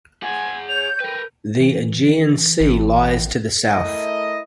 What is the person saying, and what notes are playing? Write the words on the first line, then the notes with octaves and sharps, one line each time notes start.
The Aegean Sea lies to the south.
G#4 F#5 G#5
C#5 G6 F7
A#4 B4 G5 G6
E3
A1
A3 E4 A#4 D#5